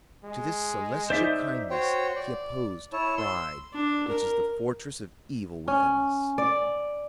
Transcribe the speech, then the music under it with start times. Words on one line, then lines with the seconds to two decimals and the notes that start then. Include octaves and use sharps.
To this celestial kindness he opposed pride, which is the fortress of evil within us.
0.24 G#3
1.10 D#4 C5 D5 E5
1.70 F#4 C5 C#5 G5
2.16 D5
2.93 E4 C#5 A5
3.18 C6 E6
3.73 D4
4.08 A#4
5.68 C#4
6.38 D5